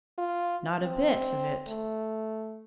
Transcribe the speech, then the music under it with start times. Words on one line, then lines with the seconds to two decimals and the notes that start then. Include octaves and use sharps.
'Not a bit of it.
0.18 F4
0.83 C4
1.69 A3